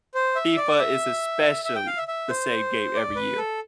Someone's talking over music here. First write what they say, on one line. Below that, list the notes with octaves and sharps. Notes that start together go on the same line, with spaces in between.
FIFA is especially the same game every year.
C5
E5
D5
E5
E5
G5
F5
E5
E5
C5
D5
B4
A4